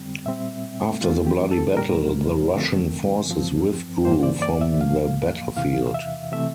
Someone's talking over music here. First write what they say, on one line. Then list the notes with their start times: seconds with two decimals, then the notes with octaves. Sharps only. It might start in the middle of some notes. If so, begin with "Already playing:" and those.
After the bloody battle the Russian forces withdrew from the battlefield.
Already playing: F2 D3 G3 C4
0.26 A#2 G3 C4 E5
1.01 E2 E3 A3 C4 F4
1.26 G4
1.51 A4
1.77 A#2 G3 A#3 A#4
2.53 F2 D3 F3 A3 C4
3.29 G2 F3 C4
4.05 G2 E3 A#3 C5
4.23 D5
4.42 D5
4.61 E5
4.80 A2 F3 A#3 F5
5.56 E2 C3 E3 F5
5.94 E5
6.32 C3 E3 A3 C4 E5